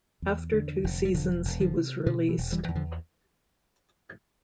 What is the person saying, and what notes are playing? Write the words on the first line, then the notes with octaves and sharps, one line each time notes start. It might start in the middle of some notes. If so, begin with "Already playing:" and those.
After two seasons he was released.
E2
D3
F1
G3
E1 D3 F3
E1
D3 F3
C3
B2 D3 F3
E3
E1
E3 G3
E2 E3
D3 F3